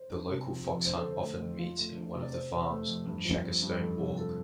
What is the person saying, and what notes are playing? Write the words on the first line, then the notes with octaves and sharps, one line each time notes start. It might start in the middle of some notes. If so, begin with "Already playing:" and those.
The local fox hunt often meets in one of the farms on Shackerstone Walk.
Already playing: C5
D4
C3
F3
F2
D4 C5
A4
D3
C5
A3
F2
F4
A3
D4
C3
D5
C4 C5
C3
A3
F2
G2
F3
C4
G2
F2 A4
C3
F3 A4